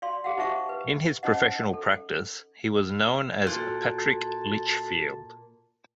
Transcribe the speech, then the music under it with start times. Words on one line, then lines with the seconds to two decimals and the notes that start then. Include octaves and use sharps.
In his professional practice he was known as Patrick Lichfield.
0.02 D5 F5 C6
0.24 G4 G#4 F5 F#5
0.38 D#4 G4 C5 E5 F#5 C#6
0.69 B4
1.23 C#4 D#4 C5 D#5 F#5
1.73 A4
3.47 A#2 F#4 A4 A5